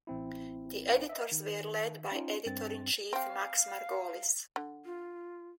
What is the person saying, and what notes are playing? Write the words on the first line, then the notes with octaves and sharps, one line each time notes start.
The editors were led by Editor-in-Chief Max Margolis.
A1 C4 E4
D#5 E5
D#3
C#4 D#4 F4
G2 C4 A6
C4 G4 F5
D3
F4